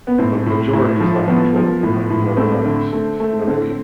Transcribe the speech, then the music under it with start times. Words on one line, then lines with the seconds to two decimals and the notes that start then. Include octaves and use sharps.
The majority is not controlling the mic, you know, they're not MCs, you know what I mean?
0.07 B3
0.18 A2 C4
0.46 A2
0.73 A2
1.00 F3
1.28 F3 B3
1.56 F3
1.83 A2
2.10 A2
2.37 A3 C4
2.65 D3
2.92 A3
3.20 A3
3.47 D3 C4